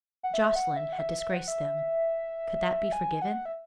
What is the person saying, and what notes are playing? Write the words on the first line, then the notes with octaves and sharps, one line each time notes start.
Joscelyn had disgraced them; could that be forgiven?
F#5
E5
F#5
E5
F#5
E5
E5
F#5
E5
G#5
F#5
E5